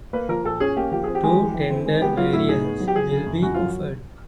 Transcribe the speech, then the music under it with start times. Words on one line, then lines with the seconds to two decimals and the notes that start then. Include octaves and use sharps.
Two tender variants will be offered.
0.13 A#3 B4
0.29 F3 A#4
0.44 A#2 A4
0.60 C#4 G#4
0.77 A#3 G4
0.92 F3 G4
1.04 C4 G#4
1.15 G4
1.23 G#3
1.39 E3
1.54 E3
1.70 C4
1.86 G#3
2.01 B3 G4
2.17 F#3 F4
2.33 A2 E4
2.49 D#4 G#4
2.65 B3
2.80 F#3
2.88 G4
2.96 F#3 G#4
3.11 C#3
3.26 F#2
3.42 F#2 F#4
3.54 F#3 F4